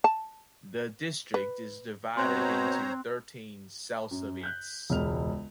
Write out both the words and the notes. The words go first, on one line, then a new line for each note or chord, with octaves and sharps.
The district is divided into thirteen selsoviets.
A5
B4
B2 C4 C5 C#5 A#5 C6 F#6
F#2
F#6 G6 B6
E1 C#2 F6 F7